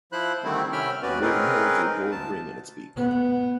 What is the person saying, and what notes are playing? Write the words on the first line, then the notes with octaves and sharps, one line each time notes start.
The raven holds a gold ring in its beak.
F3 E4 C5 B5 F#6
D3 D#3 G3 A3 C4 E4
C3 C#4 E5 G5 B5 F6
D#2 B3 C#4 F#4 B4 D5
C4 C#4 D#4 G#4 A#4 B4
D2 A5
B3